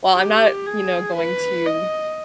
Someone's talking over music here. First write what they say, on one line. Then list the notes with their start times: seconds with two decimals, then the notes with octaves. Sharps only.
well, I'm not, you know, going to
0.17 G4
0.67 G#4
1.16 B4
1.66 D#5